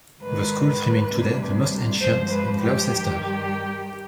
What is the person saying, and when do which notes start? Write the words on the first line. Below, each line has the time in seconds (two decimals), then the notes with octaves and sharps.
The school remains today the most ancient in Gloucester.
0.23 G#2 D#3 G#3 B4
1.12 D2 C3 G3
2.00 G2 F3 G#3 C5
2.30 B4
2.60 G4
2.89 G2 D#3 G3